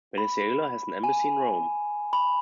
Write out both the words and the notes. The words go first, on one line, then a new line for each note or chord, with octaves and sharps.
Venezuela has an embassy in Rome.
B5
G#5
B5